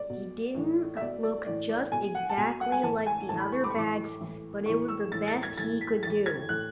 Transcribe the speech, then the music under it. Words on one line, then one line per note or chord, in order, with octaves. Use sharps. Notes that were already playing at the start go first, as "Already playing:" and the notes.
He didn't look just exactly like the other bags but it was the best he could do.
Already playing: D5
B2
A2 E3
E5
B2 D5
D5
A2 E3 D5
D5
B2 G#5
F#5
A5
B2 G#5
F#5
G#5
A2 E3 A5
G#5
A2 E3 A5
B5
C#6
D6
C#6
A2 E3 D6
A2 E3
A2 E3 C#6
E6
A2 E3 A6
A6
G#6
A2 E3 A6
B6
A2 E3 A6
G#6
A2 E3 F#6